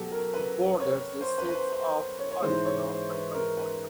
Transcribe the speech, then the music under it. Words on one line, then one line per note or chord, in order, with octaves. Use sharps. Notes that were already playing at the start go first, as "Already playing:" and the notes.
It borders the states of Arizona and California.
Already playing: B2 F#3 G4 A4
A#4
B4
C#5
C5
B4
B4
C5
C5
C#5
C#5
G#2 E3 G#3 C5
C#5
C5
B4
A#4
B4